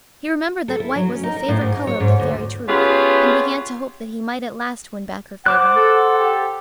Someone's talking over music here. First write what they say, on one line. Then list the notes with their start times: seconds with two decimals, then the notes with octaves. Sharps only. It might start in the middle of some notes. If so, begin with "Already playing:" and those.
He remembered that white was the favorite color of the Fairy Truth, and began to hope that he might at last win back her favor.
0.68 A4
0.80 E4
0.96 F#3
1.08 C#4
1.23 D#4
1.36 A#4
1.48 A2
1.61 G#2
1.74 D#4
1.87 C#5
2.00 G#2
2.20 D2
2.67 B3 C#4 F4 G4 G#4
5.46 C5 F#5 D6 F#6
5.76 A4
6.18 G4